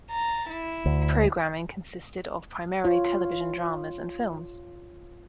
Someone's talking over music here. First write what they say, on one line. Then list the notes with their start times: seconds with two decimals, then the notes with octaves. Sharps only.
Programming consisted of primarily television dramas and films.
0.10 A#5 A6
0.49 E4
0.86 D2
2.84 F4 C#5